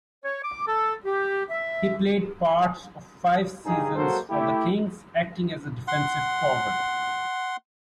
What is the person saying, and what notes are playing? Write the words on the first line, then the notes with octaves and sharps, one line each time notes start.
He played parts of five seasons for the Kings, acting as a defensive forward.
C#5
D6
A4
G4
E5
G2 D#4 G#4
F#3 G#3 A#3 F#4 A4 C5
A3 E4 G4
F#5 C6